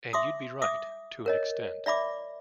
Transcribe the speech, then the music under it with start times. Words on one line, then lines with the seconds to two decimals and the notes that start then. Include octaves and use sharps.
And you'd be right, to an extent.
0.13 E5 C6 D6 D#6
0.62 E5 D6 D#6
1.26 A#4 C#5 D#5
1.86 D5 E5 B5 D6